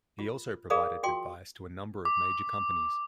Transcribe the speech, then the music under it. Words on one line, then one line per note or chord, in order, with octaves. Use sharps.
He also provided advice to a number of major companies.
F4
G#4 A#4 D5 F5 B5 D#6
F4 F#4 G5 C6 D6
D6